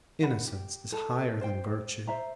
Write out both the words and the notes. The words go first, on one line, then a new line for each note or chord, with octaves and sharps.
Innocence is higher than virtue.
F#5 B5
G4
A4
C5 G5
C5 E5 A#5